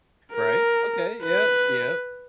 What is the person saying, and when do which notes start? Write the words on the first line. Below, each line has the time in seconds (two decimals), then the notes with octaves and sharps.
Right. Okay, yep, yep.
0.34 A#4
1.24 B4